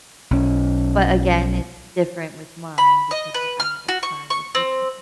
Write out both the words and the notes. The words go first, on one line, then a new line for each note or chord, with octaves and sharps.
but, again, it's different with mine because I have a child with him.
B1 C#4
B5
D#5
B4
F6
F#4
C#6
C#6
C4